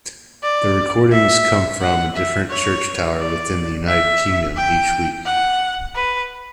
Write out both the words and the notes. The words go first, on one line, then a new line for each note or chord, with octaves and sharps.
The recordings come from a different church tower within the United Kingdom each week.
D5
E5
F#5
E5
C#5
D5
E5
G5
F#5
B4